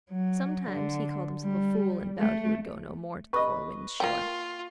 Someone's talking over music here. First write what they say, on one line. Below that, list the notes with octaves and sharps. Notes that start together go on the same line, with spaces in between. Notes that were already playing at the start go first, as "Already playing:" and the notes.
Sometimes he called himself a fool and vowed he would go no more to the Four Winds shore.
F#3
D3
G3
A3
B4 D#5 C#6
A#3 F4 G5